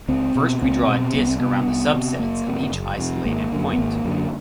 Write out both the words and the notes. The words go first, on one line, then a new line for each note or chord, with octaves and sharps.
First, we draw a disc around the subsets of each isolated point.
C#2 C4
B2
C#2 C4
B2
C2 B3
C4
C3 B3
C2
C3
F#1 A#3
F2 C3
F#1
F2 C3
G#1 A#3
F#2 D3
B3
G#1 A#3
F#2 D3